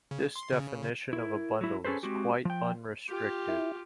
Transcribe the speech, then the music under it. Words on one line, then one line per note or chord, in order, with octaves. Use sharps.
This definition of a bundle is quite unrestrictive.
C#3
C6
C#3
E4 A#4
F#3 E4
C#4 G#4 A4 B4 C5
G#3 C4 F#4 G4
F3 G5
F4 G4
E4